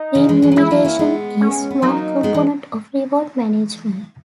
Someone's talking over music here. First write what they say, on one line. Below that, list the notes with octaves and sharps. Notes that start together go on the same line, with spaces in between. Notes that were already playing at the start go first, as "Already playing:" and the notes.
Remuneration is one component of reward management.
Already playing: D#4
C#3 E3
E3 G#3
E3 G#3
F#3
E3 G#3 E4
F#3 A#3
A#3 C#4
G#3 B3
C#4
B3
F#3 A#3 D#4
G#3 B3
E3 G#3